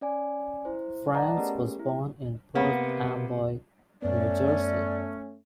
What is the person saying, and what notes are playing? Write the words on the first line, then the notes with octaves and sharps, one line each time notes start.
Franz was born in Perth Amboy, New Jersey.
C#4 D5 G#5
E4 C5
B4 D5 D#5 F#5 A5 A#5
A3 B3 C#4 G4 G#4 A#4
E4
C3 A#3 B3
F#2 A3 B3 C#4 D5